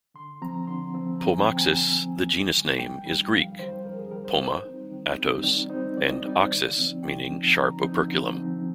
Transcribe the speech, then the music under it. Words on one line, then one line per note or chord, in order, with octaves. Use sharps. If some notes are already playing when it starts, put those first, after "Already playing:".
"Pomoxis", the genus name, is Greek: "poma, -atos" and "oxys" meaning sharp operculum.
D3 C6
F3 C4 A#5
D3 C6
F3 C4
D3 A#5
G#5
F3 C4 G5
G#5
D3
F3 C4
F2
D#3 G3
F2 G5
D#3 G3
F2 F5
D#3 G3 C5
F2 A#4
G#4
D#3 G3 A#4
C5
D#3 C5
G3 C4 D#4
D#3
G3 C4 D#4
D#3 D5
G3 C4 D#4 C5
D#3 D5
D#5
G3 C4 D#4 D5
C5
D3
D5
F3 C4 D#4
D3 G5
F3 C4 D#4
D3 A#5
F3 C4 D#4
D3
F3 C4 D#4